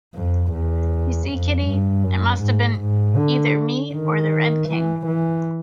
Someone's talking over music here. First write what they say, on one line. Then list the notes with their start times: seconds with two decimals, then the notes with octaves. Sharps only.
You see, Kitty, it must have been either me or the Red King.
0.15 F2
0.52 E2
1.29 F2
1.66 G2
2.04 F#2
2.42 G#2
2.80 G#2
3.17 D3
3.93 D#3
4.69 E3
5.07 E3